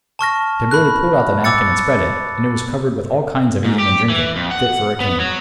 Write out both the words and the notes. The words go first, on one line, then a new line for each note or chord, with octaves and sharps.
So Billy pulled out the napkin and spread it, and it was covered with all kinds of eating and drinking, fit for a king.
A5 C#6 F6 A#6
B5 F#6
D6 E6 A6 C#7
G#2
G4
E3
F2
F#5
B3
F#3